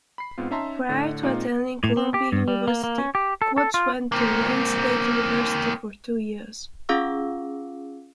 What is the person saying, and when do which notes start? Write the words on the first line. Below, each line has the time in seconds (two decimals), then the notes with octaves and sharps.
Prior to attending Columbia University, Kluge went to Wayne State University for two years.
0.18 B5 C7
0.38 G#2 B3 C4 F4
0.51 C#4 D#4 E5 A5 A#5 C6
0.89 A2 D3
1.23 A#2 G#3 C4 D#4 F4
1.84 A2
1.97 C4
2.14 G4
2.32 G2
2.48 G3
2.68 A#3
2.84 A#3
2.98 C#4
3.15 G4
3.42 A4
3.58 A4
3.74 F4
4.12 A#3 C4
6.89 C#4 F4 G#4 F5 D6 E6